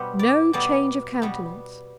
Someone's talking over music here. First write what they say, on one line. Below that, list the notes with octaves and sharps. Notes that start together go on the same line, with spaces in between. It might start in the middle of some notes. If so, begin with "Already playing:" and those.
No change of countenance.
Already playing: B2 G3 B3 C5
D5
B2 G3 B3 D5
B2 G3 B3